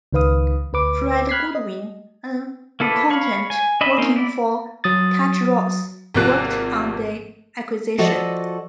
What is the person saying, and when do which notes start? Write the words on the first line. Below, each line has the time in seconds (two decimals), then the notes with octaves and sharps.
Fred Goodwin, an accountant working for Touche Ross, worked on the acquisition.
0.12 C#2 D#3 B4 F5 D#6
0.73 D2 B4 D6
1.29 B5 F6 F#6 G#6 B6 C7
1.55 D#5
2.80 A#3 E4 A4 B4 D5
3.10 C#5 F5 B5
3.50 G#5
3.81 D4 D#5 E5 B5
3.98 A#3 C4 C#4 D#4
4.16 E4 D5
4.84 F#3 D#6 A6
6.14 G#1 C3 F3 A#3 F#6
7.98 F3 F#4 A4 D5 D#5